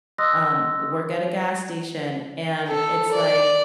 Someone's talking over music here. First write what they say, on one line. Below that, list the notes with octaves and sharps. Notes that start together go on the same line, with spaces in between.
um, work at a gas station, and it's like
D#5 C6 D#6 E6 F#6 A#6
A4
D5